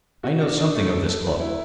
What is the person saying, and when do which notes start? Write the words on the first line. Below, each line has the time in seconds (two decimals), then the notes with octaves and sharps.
I know something of this club.
0.24 F#4
0.41 D4
0.58 D4
0.75 A3
0.91 A4
1.07 A4
1.24 B4
1.40 E4